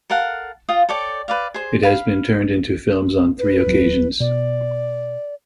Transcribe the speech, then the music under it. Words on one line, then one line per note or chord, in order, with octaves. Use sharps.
It has been turned into films on three occasions.
A4 A#4 F5 F#5
F4 F5 G5 D#6
A4 C#5 D5 G5
B4 D5 F5
G#4 C5
F5 B5
B4
D#1 F#3 C4
B2 D5